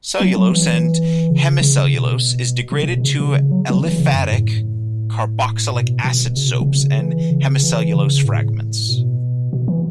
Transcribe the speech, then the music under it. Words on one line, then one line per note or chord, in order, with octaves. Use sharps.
Cellulose and hemicellulose is degraded to aliphatic carboxylic acid soaps and hemicellulose fragments.
F#3
F#3
E3
C#3
C#3
B2
C#3
C#3
B2
C#3
C#3
F#3
F#3
C#3
E3
C#3
F#2
A2
B2
B2
C#3
B2
C#3
E3
C#3
E3
C#3
A2
B2
B2
E3